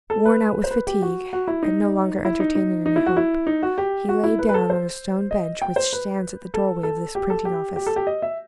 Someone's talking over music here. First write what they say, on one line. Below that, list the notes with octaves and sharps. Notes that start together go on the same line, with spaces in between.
Worn out with fatigue, and no longer entertaining any hope, he lay down on a stone bench which stands at the doorway of this printing office.
A4
B4
C5
B4
G4
F#4
F#4
E4
D#4
E4
D#4
D#4
D#4
E4
F#4
E4
D#4
F#4
G4
F#4
E4
B4
B4
A4
C5
D#5
G5
C5
B4
A4
A4
G4
A4
G4
G4
A4
G4
D#5
E5